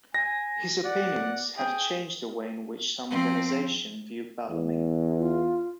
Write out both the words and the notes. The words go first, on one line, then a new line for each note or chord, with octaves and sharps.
His opinions have changed the way in which some organisations view Bellamy.
G#5 A#6
D5 F#5
G#4 G5
F3 C4
E2
F4